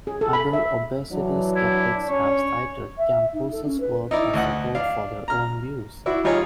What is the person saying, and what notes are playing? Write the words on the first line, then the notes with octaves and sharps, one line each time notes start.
Other obesity skeptics have cited Campos's work as support for their own views.
G#4
A4
B5
E5
E3 F#3 D4
E4
C#4 C#5
E5
D#4
A4
C#4
B4
D#4 E4 D5
D2 D#5 F#5
D4 F5
A#5 F6
D4 E4 F#4
G3 D#4 F4 G#4 C#5